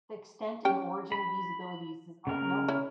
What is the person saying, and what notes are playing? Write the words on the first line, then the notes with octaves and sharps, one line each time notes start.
The extent and origin of these abilities is unknown.
C#4 G4 G5
B5
C#3 A#4
C#4 E4